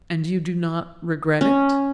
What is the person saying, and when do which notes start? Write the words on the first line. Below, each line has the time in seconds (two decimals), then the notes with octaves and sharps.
"And you do not regret it?"
1.41 C#4